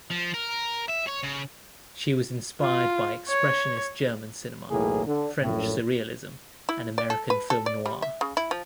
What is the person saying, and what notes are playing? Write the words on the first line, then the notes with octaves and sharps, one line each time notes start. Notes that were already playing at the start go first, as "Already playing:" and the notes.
She was inspired by expressionist German cinema, French surrealism and American film noir.
F3
A#4
E5
C#5
C#3
F4
C#5
B1 E2 A2 A#3 G#4
D3
A#1 F#2 A2
E4
D5
A4
B4
A4
D5
G3
E5
C#3
E4
F3